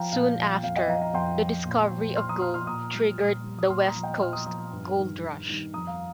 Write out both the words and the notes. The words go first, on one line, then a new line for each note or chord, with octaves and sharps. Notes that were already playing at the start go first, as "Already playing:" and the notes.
Soon after, the discovery of gold triggered the West Coast Gold Rush.
Already playing: F3 F5 G5 A#5
A#2 F5
F3
F2 F5
D#5 G5
F3 F5 A#5
F5 A#5
F2 G5 C6
F3
A#2
F3
A#2 C6 F6
A#5 D#6
F3 C6 F6
C6 F6
A#2 A#5 D#6
G3
A#2
G3
D#6
A#2 C6 F6
A#5 D#6
F3
D#5 G5
A#2 F6
A#5 D#6
F3 A#5 D#6
G2
D#3 G3
G2
D#3 G3
F2 A#5 D#6
F5 A#5